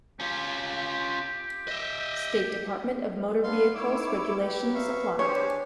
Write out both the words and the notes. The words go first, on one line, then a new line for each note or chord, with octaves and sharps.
State Department of Motor Vehicles regulations apply.
C#4 F4 G4
D#5 E5
B3 D4 F5 C6
D#4 E4 C#5 D6 E6
F#3 G4 B4
E5 F5 C#6
D4 G4 G#4 C5 C#5